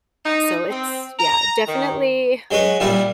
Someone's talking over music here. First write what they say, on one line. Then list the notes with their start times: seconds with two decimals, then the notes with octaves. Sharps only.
so it's yeah, definitely
0.25 D#4
0.69 C4
1.19 A#5
1.67 D#3
2.51 F#3 G#3 B4 C#5
2.80 A#2 G3 E4 F4